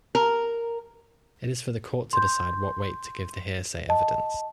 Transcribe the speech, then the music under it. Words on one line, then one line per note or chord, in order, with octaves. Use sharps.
It is for the court to decide what weight to give the hearsay evidence.
A#4
C6 G6
D#5 A5